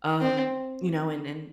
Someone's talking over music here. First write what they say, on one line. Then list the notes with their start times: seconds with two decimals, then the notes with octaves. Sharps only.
um, you know? And and
0.21 C4